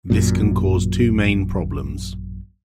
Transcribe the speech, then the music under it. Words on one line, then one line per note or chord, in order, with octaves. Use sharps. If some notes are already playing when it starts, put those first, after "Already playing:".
This can cause two main problems.
A1 F#2 A#2